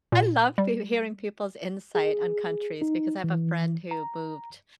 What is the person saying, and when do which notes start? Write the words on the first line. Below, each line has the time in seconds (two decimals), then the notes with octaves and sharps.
love peo hearing people's insight on countries, because I have a friend who moved,
0.12 A#2
0.58 G3
1.95 G#4
2.82 D#4
3.24 E3
3.91 A#5